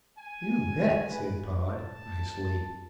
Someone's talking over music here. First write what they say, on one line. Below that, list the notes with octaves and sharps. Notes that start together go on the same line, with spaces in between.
"You bet," said Pod, icily.
G#5
B4
A5